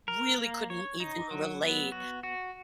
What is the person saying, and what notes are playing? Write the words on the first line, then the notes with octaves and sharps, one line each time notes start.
really couldn't even relate.
A#4
A#3
C#5
D#4
F#3
B3
F#4
F#4